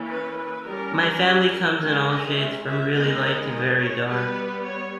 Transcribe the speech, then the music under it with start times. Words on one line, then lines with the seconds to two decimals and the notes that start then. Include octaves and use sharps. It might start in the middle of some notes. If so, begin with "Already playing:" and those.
My family comes in all shades from really light to very dark.
Already playing: E3 A#3 C#4
0.09 B4
0.37 B4
0.65 G3 C#4 A#4
1.22 G4
1.51 A#4
1.80 D#3 G#3 C#4
2.08 D#5
2.37 E5
2.65 E5
2.93 D#3 G#3 B3 D#5
3.80 C#5
4.08 G3 B3 B4
4.65 C#5